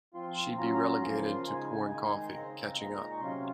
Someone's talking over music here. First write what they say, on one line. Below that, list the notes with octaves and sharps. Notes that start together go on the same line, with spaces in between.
She'd be relegated to pouring coffee, catching up.
F3 C4 F4 C6
F#3 C#4 F4 A#5
C6
A#5
C#3 F3 A#3 F4 C6
C#3 G#3 D#4 G#5
D#3 G#3 D#4
C6
C#3 G#3 C4 D#4 A#5
A#2 G#3 D#4
C#6
C3 F#3 C#4 F4 C6